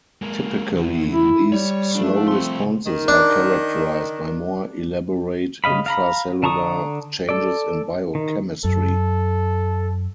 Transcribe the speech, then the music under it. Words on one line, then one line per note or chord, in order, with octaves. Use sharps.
Typically these slow responses are characterized by more elaborate intracellular changes in biochemistry.
G#3 A#3
E2
E4
G3 C#5
F3 A3 D4
C2 C4 C6
D#3
D4
C#3 D#5 F5 B5
F5 A#5 B5
D3 A5 A#5 C#6 D#6
A4 D5
D#3
F#2 A4